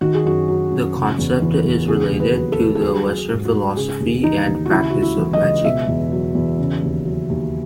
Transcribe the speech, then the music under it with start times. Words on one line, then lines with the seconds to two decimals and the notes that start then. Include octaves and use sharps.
The concept is related to the Western philosophy and practice of magic.
0.01 D#3 F#4
0.14 G#4
0.24 F#2 F#4
0.48 F#3
0.72 F#2
0.95 C#3
1.18 E2
1.42 E3
1.65 E2
1.88 C#3 G#4
2.12 D#2
2.20 B4
2.35 F#3
2.52 A4
2.59 D#2
2.75 A4
2.82 F#3 G#4
3.06 F#3
3.15 F#4
3.30 G#2
3.45 F#4
3.53 G#2
3.77 C#3 G#4
4.01 D#2
4.24 E3 D#4
4.47 D#2
4.66 F#4
4.71 C#3 E4
4.90 C#2 F#4
5.02 E4
5.18 E3
5.33 D#5
5.41 C#2
5.64 B2 E5
5.88 E2
6.12 F#3
6.35 E2
6.58 C#3
6.83 D#2
7.05 F#3
7.30 D#2